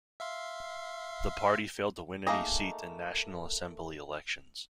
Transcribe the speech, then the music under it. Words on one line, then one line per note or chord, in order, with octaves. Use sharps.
The party failed to win any seat in National Assembly elections.
E5 F5 C6
A3 A#3 D#4 G#4 D#5